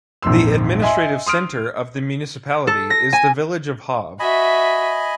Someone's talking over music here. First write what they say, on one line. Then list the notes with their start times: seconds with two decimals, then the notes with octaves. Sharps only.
The administrative centre of the municipality is the village of Hov.
0.22 A#1 F2 G#2 C6 E6
0.81 D#5 E5 G#5 C6
1.26 C6 D#6 F6 D7
2.67 A4
2.90 A#6
3.13 G#5
4.20 F#4 D#5 E5 G#5 B5